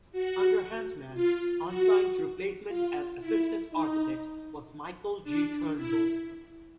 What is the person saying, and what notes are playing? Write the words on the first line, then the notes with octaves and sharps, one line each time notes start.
Under Hantman, Ensign's replacement as Assistant Architect was Michael G. Turnbull.
F#4
F4
F#4
F4
E4
D#4
D4
E4